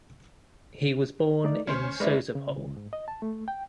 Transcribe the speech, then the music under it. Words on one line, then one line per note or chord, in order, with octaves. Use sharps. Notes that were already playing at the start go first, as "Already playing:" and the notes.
He was born in Sozopol.
A3 D#4 D5
D2 C#4 C5
F1 G#3 E4 B4 D5
C#3
C#2
G#2
D#5
A5
A3
G5